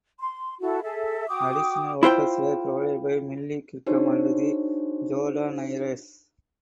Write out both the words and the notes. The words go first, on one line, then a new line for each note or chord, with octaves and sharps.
Additional vocals were provided by Millie Kirkham and The Jordanaires.
C6
E4 F#4 A4
G#4 A4 E5
F#4 G5 D6 D#6
E4 F4 C5 G5
D4 D#4 F#4 G#4 C5 C#5